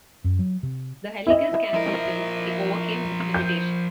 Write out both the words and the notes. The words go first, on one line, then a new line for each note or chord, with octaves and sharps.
The helical-scan system overcame this limitation.
F#2
F#3
C3
E4 D#5
F3 A#4
G6